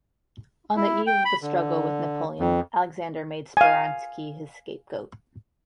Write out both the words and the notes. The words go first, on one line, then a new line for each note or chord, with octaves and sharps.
On the eve of the struggle with Napoleon, Alexander made Speransky his scape-goat.
E4
G5
B5
D3
F2
F5 G#5